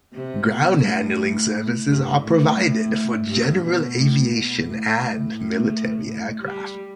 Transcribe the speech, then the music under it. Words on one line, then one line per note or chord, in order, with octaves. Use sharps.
Ground handling services are provided for general aviation and military aircraft.
C3
B2
A2
G2
A2
G2
B2
A2
B2
A2
A2
A2
A2
G3